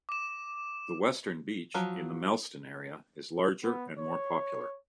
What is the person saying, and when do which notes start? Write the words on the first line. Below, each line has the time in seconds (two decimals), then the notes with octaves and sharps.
The western beach, in the Mellsten area, is larger and more popular.
0.09 D6 E7
1.74 F3 F#3
3.64 B3
3.99 C#5